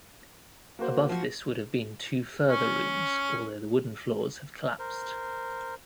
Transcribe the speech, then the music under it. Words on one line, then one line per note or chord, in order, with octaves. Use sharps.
Above this would have been two further rooms, although the wooden floors have collapsed.
A#3 F#4 C5
F3 F#4
C#4
A#4 C5